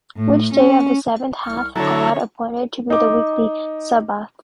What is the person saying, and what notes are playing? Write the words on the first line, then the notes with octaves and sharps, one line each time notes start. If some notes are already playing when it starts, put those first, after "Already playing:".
Which day of the seven hath God appointed to be the weekly sabbath?
A2
C#4
C2 C#6 F6
D3 F#3 E4 A4 C#5 A#5
D#4 D6